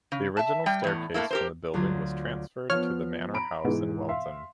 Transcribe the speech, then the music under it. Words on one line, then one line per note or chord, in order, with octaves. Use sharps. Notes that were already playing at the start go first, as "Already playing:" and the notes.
The original staircase from the building was transferred to the Manor House in Welton.
C#3
E5 A5
G3 G5
E2 A2
A2 A3 A#3 E4
G4 A#4 C5
D2 D3 F#3 F4 G#6
F3 B3 C#5 F6
A#5 B5 D7
G#2 B2 E3
E5 F5 C6